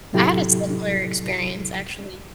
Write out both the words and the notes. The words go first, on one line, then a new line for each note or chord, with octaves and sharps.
I had a similar experience actually,
A2 C3 F#3 E4 G4 A4